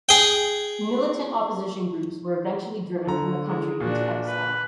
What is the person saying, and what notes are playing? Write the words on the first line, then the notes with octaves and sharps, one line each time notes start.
Militant opposition groups were eventually driven from the country into exile.
G#4 G5
D3 A#5
G#3
A#2 D4 F#4
B4